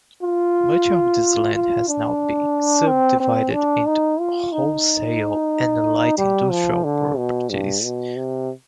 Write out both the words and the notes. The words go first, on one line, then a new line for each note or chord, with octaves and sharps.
Much of this land has now been subdivided into wholesale and light industrial properties.
F4
F4
D4
C4
C4
D4
D#4
F4
D#4
G3
F3
D3
B2
G2
B2
C3